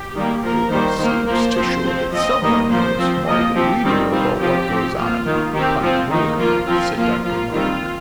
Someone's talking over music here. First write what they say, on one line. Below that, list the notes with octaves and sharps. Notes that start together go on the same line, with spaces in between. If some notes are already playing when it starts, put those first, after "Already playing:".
"It seems to show that someone knows more than we do about what goes on upon the moor," said Dr. Mortimer.
Already playing: G4
D#3 G3 A#3
F3 A#3 A#4
D#3 G3 A#3 C5
D#3 A#3
F3 A#3 C5
F3 C4
F3 C4
F3 C4 D#5
D#3 G3 A#3 D#5
F3 A#3 C5
F3 C4
F3 A#3 D#5
F3 C4 G4
D#3 G3 C4
D#3 G3 C4 F4
F3 C4 G4
F3 C4
F3 A#3 F4
D#3 A#3
D#3 C4 G4
F3 C4 F4
D#3 A#3 D#4
F3 A#3 F4
F3 C4 F4
F3 A#3 F4
F3 A#3 F4
D#3 G3 C4 F4